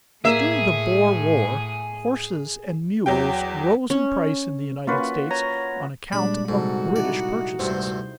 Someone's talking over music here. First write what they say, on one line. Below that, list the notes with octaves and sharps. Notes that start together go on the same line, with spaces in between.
During the Boer War horses and mules rose in price in the United States on account of British purchases.
A2 A#3 G#4 E5
E2 F#3 G5
C#4
A#3 C#4 F4 F#4 B4
C#5 A#5 A#6
A#2 G3 G#3 D4 B5
G#2 C3 D#4 F#4 A4
D#4 E4 D5 F#5
D2 G2 C3 C5